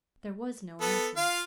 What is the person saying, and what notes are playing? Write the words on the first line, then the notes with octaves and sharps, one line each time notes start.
There was no answer.
B3 A4
F4 F5